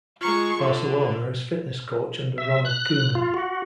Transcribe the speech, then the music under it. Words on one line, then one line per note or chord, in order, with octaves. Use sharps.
Barcelona as fitness coach under Ronald Koeman.
G#3 F4 A#5 C#6
D3 C6
E5
F#6
F4
F#4